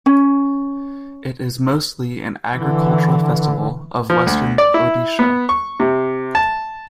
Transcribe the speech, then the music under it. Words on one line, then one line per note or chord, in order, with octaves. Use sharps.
It is mostly an agricultural festival of Western Odisha.
C#4
D3 E3
F3
D2
D5
E4
B3
C#6
C3
A5